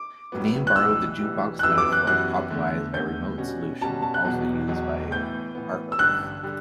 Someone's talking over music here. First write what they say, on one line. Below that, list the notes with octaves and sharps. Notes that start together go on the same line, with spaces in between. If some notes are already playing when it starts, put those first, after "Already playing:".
The name borrowed the jukebox metaphor popularised by "Remote Solution", also used by "Archos".
Already playing: D6
A1 A2 F#3 B3
F#6
B1 A2 E3 G3 B3 E6
B1 A2 E3 G3 B3
F#6
F#2 E3 G3 B3 F#4 E6
D6
F#6
F#2 E3 G3 B3 F#4 F#6
E2 D3 A3
E2 D3 A3 G6
B2 G3 C#4 F#4
B2 G3 C#4 F#4 A5
A5
F#6
E1 E2 B2 F#3
E1 E2 B2 F#3
A2 E3 B3 G6
A2 E3 B3
E6
A1 G2 D3 G3 F#6
D3 G3